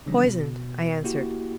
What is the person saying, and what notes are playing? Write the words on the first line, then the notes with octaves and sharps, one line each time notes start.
'Poisoned,' I answered.
C#3 E3 F3 G3 C#4 D4
B2
A#3 E4 F#4 G4